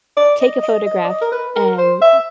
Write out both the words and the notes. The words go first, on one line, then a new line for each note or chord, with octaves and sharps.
take a photograph and m
D5
D#5
D#5
D#5
D5
D#5
A#4
B4
A#4
C5
E5